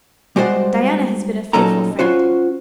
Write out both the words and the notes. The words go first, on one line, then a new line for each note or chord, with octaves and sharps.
Diana has been a faithful friend.
G3 G#3 F#4 C5 D5 F#5
A#2 F#3 C#4 D#4 A4 A#5
C#4 F4 F#4 C5